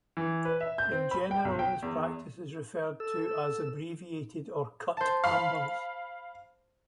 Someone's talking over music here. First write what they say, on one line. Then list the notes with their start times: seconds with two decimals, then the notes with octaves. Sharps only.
In general, this practice is referred to as abbreviated or "cut" numbers.
0.17 E3
0.45 B4
0.61 E5
0.78 G6
0.92 C4
1.11 B5
1.31 G5
1.45 B1
1.59 G5
1.82 E2
3.00 A4 E6
4.97 C5 A5
5.24 F5 B5